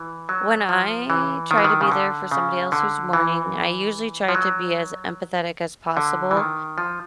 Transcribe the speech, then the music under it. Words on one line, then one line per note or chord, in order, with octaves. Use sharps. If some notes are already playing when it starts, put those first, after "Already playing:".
When I try to be there for somebody else who's mourning, I usually try to be as empathetic as possible,
Already playing: E3
F#3
F3
E3
D#3
E3
D#3
C#3
D3
C#3
D3
E3
F3
F#3
D3
E3
D#3
F3